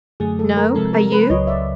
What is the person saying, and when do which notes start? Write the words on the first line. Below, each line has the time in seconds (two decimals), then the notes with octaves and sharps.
"No; are you?"
0.20 F#2 D3 F#3 A3 G#4
0.39 A4
0.57 A#4
0.75 C3 F3 G#3 C4 A4
0.93 A#4
1.12 B4
1.30 C#2 C#3 F#3 C#5 D#5
1.47 D5 E5